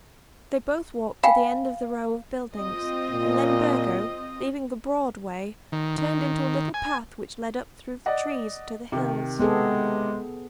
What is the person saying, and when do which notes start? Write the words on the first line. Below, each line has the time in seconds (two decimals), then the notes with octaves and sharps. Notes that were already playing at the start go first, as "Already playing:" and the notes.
They both walked to the end of the row of buildings, and then Burgo, leaving the broad way, turned into a little path which led up through the trees to the hills.
1.24 F5 G5 G#5 B5
2.54 C4 F4 D#5
3.10 A#2
5.72 D#3
5.98 D#3
6.74 G#5
8.06 D5 D#5 F#5
8.92 C3 D#3
9.40 G#3 B3 G#4 A4